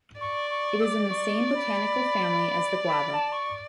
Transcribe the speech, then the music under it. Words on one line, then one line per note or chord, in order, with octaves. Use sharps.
It is in the same botanical family as the guava.
D5 C#6
C#6
E6
D6
C#6
B5
B5
B5
A5
C#6